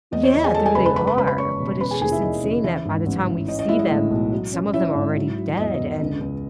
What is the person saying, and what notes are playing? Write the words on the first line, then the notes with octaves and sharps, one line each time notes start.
Yeah, there they are, but it's just insane that by the time we see them, some of them are already dead and
E2 D#5
C#5
E2 D#5
G#4 G#5
G#3 A4 A5
G#4 G#5
F#1 B4 B5
B4 B5
G#3 B4 B5
B4 B5
C#3 B4 B5
B4 B5
C#3 C#5 C#6
E1
C#3 B4 B5
G#4 G#5
D#2 G#4 G#5
E4 E5
D#2 D#5
C#3
E3 E4 E5
G#2
A1
E3
C#4 D#5
D#5
G#3 E4 E5
D#5
A2
B1
F#3
C#4
C#4 E4 E5
G#2
F#3
F#3
E2 D#5
E2
C#2
C#2